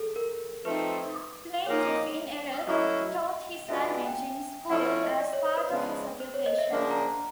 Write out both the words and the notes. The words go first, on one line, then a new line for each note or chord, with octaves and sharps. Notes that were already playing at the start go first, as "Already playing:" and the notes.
Plaintiff in error taught this language in school as part of his occupation.
Already playing: G#4 A4
A#4
F3 A3 C4 D#4 B4
A#2 F3 A#3 D#4 C#5
F#3 A3 C#4 E4 D#5
B2 G#3 B3 D4 F4 E5
G#5
G#5
G5
F3 A3 C#4 E4 F#5
E5
D#5
D5
C#5
C5
B4
C#3 F3 G#3 B3 D4
C5
C#5
D#5
E5
C#3 F3 A#3 D4 F#5
A#5
A5